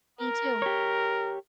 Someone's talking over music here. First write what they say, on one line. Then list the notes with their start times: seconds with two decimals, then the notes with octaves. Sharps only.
Me, too.
0.21 A#4
0.62 G4 C#5